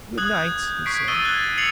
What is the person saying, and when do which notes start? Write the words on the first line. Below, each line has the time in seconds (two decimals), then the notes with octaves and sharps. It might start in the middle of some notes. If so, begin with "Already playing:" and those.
"Good night," he said.
0.18 D#6 F#6 G#6 F#7
0.35 G6
0.86 C#6 F#6 G#6 B6 C7 D7
1.08 C#6 D#6 E6 A6 D#7 G7
1.25 F#6 G#6 A6
1.58 E6 A6 C7 C#7 F7 F#7